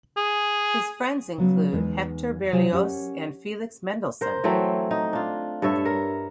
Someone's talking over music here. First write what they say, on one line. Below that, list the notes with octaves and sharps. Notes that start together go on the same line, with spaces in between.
His friends included Hector Berlioz and Felix Mendelssohn.
G#4
C#3 F#3 B3
E2 G#3 B3 D#4
C3 F#3 F#4 G#4 F5 G#5
C#4 G4 A#4 F#5
A#4 C5
E3 F#3 A3 C4
D#4
D4 F4
G2 A4 C#5 E5
A#4